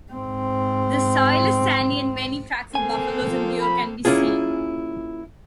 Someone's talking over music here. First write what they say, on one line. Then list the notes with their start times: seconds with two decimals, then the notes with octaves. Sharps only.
The soil is sandy and many tracks of buffalo and deer can be seen.
0.12 G#2 C4
2.75 A#3 C4 A4 G#5
3.29 F3
3.61 B5
4.05 A#3 C#4 E4 F4 G#4